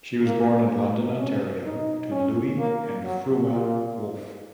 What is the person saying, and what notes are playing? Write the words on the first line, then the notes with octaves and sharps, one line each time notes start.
She was born in London, Ontario, to Louis and Fruma Wolf.
A#3
A#3
C#4
D#4
C#4
A#3
F#3
A#2